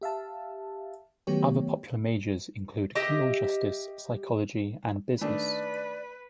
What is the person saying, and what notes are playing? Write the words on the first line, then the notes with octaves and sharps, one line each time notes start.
Other popular majors include Criminal Justice, Psychology, and Business.
G4 E5 F5 A5
D#3 F#3 A3 B3 G4 C#5
G4 D#5 E5
D#3 A3 D4 B4 D5